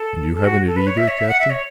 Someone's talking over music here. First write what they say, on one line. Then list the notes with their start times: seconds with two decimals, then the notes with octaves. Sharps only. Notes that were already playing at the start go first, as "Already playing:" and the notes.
"And you haven't it either, captain?"
Already playing: A4
0.34 A4
0.44 F#4
0.66 A4
0.76 B4
0.87 C#5
0.97 E5
1.08 C#5
1.19 E5
1.29 F#5
1.39 E5
1.50 C#5